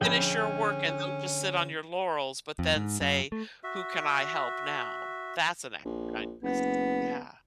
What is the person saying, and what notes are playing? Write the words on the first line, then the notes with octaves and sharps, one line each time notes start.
Finish your work and don't just sit on your laurels, but then say, "Who can I help now?" That's an act of kindness. Yeah.
A#1 D3 C#4 G#4 G5 B5
F2
G#2
F#2
A3
F#4 E5
A#1
F#1 B3